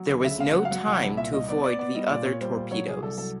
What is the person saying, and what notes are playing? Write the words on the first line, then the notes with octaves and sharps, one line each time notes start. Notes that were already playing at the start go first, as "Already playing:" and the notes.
There was no time to avoid the other torpedoes.
Already playing: F#3
D2
C#3 E5
C#2 F5
F#3 F#5
F5
F#3 F#5
C2 F#5
C2
A#2 E5
C2 D#5
B3 D5
B3 D5
B3 D5
G3 D#5
A#2 D5
A#2 C#5
G3 C5
A#2
F#3 C#5
C2 G#4
C2 A4
F#3 A4